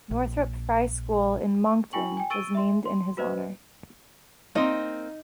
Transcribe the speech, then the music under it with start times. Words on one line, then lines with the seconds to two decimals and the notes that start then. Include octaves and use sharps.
Northrop Frye School in Moncton was named in his honour.
0.11 A#1
1.93 E4 F#4 G5 G#5 C#6 F#7
2.17 G5 G#5
2.30 C#6 E6 A6 D7 D#7 G7
2.55 E5 C6
2.85 C6
3.17 F#4 B4 C5 D#5
4.55 A#3 C4 D#4 D#5